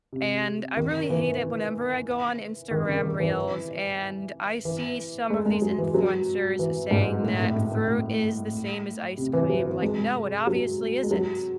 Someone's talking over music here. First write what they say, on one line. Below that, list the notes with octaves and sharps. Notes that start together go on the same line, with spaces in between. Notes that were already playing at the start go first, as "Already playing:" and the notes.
and I really hate it whenever I go on Instagram reels and I see some of these influencers saying that fruit is the same as ice cream, like, no, it obviously isn't.
C3
D#3
E3
D#3
C#3
D#3
E3
E3
G#3
G#3
F#3
E3
F#3
E3
G#2
A2
A2
A2
A2
A2
C3
E3
F#3
E3
G#3
F#3
G#3
F#3